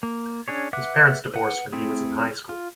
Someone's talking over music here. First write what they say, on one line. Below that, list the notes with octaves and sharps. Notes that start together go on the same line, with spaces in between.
His parents divorced when he was in high school.
A#3
C#4 D4 G#4 C#5
B4 E5 F#5 D6 F#6
B4 F#5
A3 C4 E4 G#4
F4